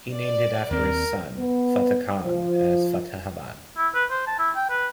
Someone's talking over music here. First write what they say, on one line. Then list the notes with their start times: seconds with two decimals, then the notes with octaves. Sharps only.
He named it after his son Fateh Khan, as Fatehabad.
0.14 D5
0.70 D#2 C4 A#4
1.37 B3
2.22 F3
3.78 E4
3.95 B4
4.11 C5
4.27 A5
4.39 E4
4.56 G5
4.70 B4